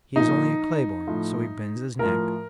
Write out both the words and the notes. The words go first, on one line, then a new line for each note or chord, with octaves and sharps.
He is only a clay-born; so he bends his neck.
A#2 F3 D#4
A2 F3
A2 F3 A#4